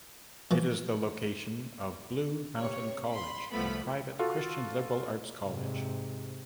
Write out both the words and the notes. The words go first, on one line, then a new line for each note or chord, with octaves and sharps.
It is the location of Blue Mountain College, a private Christian liberal arts college.
E3 F3
C3 C#5
B5 C6
C2 F3 A3 B3 B5
F4 F#4 A4
G#2 C3